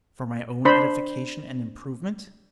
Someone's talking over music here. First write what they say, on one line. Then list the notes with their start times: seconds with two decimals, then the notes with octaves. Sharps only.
For my own edification and improvement?
0.65 D4 C5 B5